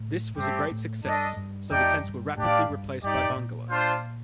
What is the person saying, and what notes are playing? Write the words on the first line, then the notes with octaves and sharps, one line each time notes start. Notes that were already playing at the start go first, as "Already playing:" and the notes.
This was a great success, so the tents were rapidly replaced by bungalows.
Already playing: A2
G2 A3 C4 G4
A2
G2 D4 A4 D#5
G2
F2 A3 D#4 G4 D5 G5
G2
A2 D4 G4 D5 F5
G2
G2 D#4 G4 D5
F2
G2
A2
A#2
D4 F4 C5